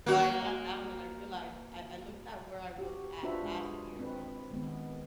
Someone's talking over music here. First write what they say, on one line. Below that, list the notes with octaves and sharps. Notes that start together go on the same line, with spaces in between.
But, I sat down and I realized I I looked at where I was at last year around this time
A#3 F#4
F#4 G4
D4 F4 F#4 B4 C5 E5
G#3 G#4
C4 B4
D#3 G#3 B3